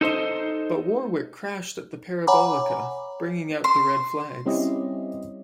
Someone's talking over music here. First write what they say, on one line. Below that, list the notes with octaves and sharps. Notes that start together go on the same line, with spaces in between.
But Warwick crashed at the Parabolica, bringing out the red flags.
D#4 A4 C5 D#5
C#5 F#5 G#5 A#5 B5 D6
C6
G3 C4 C#4 E4 G4 D#5